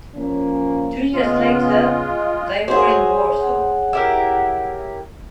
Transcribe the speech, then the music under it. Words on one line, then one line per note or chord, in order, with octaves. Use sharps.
Two years later they were in Warsaw.
F3 A#3 C#4
C#3 G#3 B3 F4
C#4 F#4 G#4 C5 E5
F#5
E4 G4 A#4